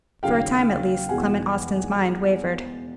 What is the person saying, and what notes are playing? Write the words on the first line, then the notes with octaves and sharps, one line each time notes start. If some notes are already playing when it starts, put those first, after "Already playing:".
For a time, at least, Clement Austin's mind wavered.
D#2 C#3 F#3 F5 G5
E2 B2 G#3 B3 F#5 G#5